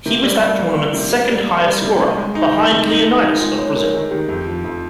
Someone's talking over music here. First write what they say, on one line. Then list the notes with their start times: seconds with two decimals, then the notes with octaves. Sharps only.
He was that tournament's second-highest scorer, behind Leonidas of Brazil.
0.06 C3 A#4
0.23 G3
0.41 G3
0.58 A#3
0.76 A#3
0.93 C3
1.11 C3
1.29 G3
1.46 A#3
1.64 G3
1.82 C3
2.00 C3
2.17 G#3
2.35 D#4
2.52 D#3
2.70 C3
2.88 D#4
3.05 G#3
3.23 D#4 A#4
3.40 G#3 F4
3.58 G#3 C#5
3.76 D#4 A#4
3.93 D#3 G#4
4.11 D#3 G4
4.28 F2
4.47 F3
4.64 F2